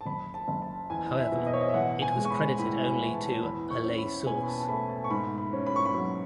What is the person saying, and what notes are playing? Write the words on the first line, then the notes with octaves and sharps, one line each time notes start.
However, it was credited only to a "lay source".
A5
F#1 B5
A5
F#1
A5
E2 G#5
E5
B2
D#5
C#5
D#5
E5
A1 F#5
G#5
G#3
C#6
B5
A2 B5
B5
E3
A5
E2 B5
C#6
C#4
B5
B2 G#5
B5
A5
A5
A3 B5
A5
C#6
G#2 B5
B5
C#4
B5
C#6
B5
F#3